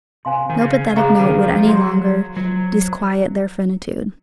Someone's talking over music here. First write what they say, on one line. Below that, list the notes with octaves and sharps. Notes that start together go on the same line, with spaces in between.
No pathetic note would any longer disquiet their finitude.
C3 C5 F5 G#5 C6
D#3
C#3
C#3 G#4 C5 F5 A#5 C#6
D#3
F3
F3
F#3 F#4 C#5 F#5 C6
F#3 F4 C5 D#5